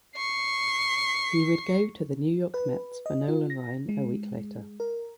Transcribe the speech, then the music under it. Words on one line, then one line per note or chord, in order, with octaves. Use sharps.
He would go to the New York Mets for Nolan Ryan a week later.
C#6 C7
B4
D#5
F4
A#6
G#3
A#4